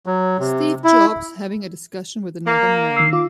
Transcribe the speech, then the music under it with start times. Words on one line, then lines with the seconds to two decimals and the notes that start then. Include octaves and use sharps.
Steve Jobs having a discussion with another man.
0.06 F#3
0.39 C3
0.84 E4
2.46 A#3 A#5
2.96 D#3 E6 C7
3.13 F4 D6